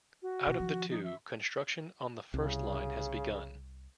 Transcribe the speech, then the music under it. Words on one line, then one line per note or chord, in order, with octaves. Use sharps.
Out of the two, construction on the first line has begun.
F#4
B2 B3
D#3 F3
D#4
E5
C2 C#3